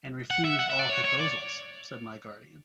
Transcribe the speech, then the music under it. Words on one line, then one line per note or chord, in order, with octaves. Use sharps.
"And refused all proposals," said my guardian.
F#5
E5
F#5
E5
D5
C#5
C#5
D5